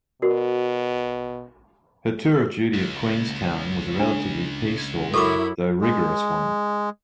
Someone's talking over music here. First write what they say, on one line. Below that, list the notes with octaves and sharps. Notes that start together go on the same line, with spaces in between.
Her tour of duty at Queenstown was a relatively peaceful, though rigorous, one.
B2 F#4 A#4 D5
C#2
D4
F#2 F#3 E4 A4 C#6 D6
G#3